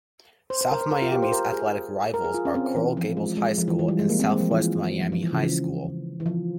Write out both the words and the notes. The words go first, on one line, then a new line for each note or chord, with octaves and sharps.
South Miami's athletic rivals are Coral Gables High School and Southwest Miami High School.
C5
C5
A#4
C5
A#4
F4
G4
C5
A#4
G#4
A#4
G#4
F4
C#4
C4
E3
F3
G#3
G#3
F3
E3
E3
G3
G#3
A#3
C4
G#3
F3
E3
F3
F3
E3
C#3
E3
E3
F3